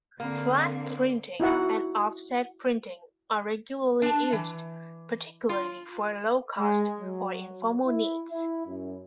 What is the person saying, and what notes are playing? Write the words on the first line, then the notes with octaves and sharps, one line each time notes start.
Flat printing and offset printing are regularly used, particularly for low-cost or informal needs.
D3 A#3 C4
D#4 E4 F#4 F#5
D4 A5
E3
F4
G#3
F#3
E4
E4
F#2